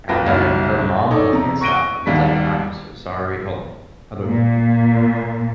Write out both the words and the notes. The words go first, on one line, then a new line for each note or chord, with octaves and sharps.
And then her mom pulls me aside and is like, "I'm so sorry" Hold on. Hold o
C2 F4 B4 G5 A#6
F#1 B1 G3 E4 F6
D#4 A4 C#5 D5
C3 A#5
C#6 F#6 A#6 D7 D#7 G7
G#1 D#2 G3 B6
A#2